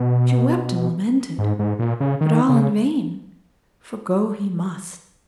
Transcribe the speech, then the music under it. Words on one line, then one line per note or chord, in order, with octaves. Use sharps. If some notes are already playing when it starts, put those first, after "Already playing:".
She wept and lamented, but all in vain, for go he must.
Already playing: B2
G#2
G#2
A#2
C#3
D#3
C#3